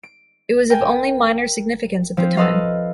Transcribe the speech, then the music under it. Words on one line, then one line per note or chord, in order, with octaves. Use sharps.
It was of only minor significance at the time.
D7
A#4 G5 G#5
F3 C4 F4
A4 B4 D#5 F5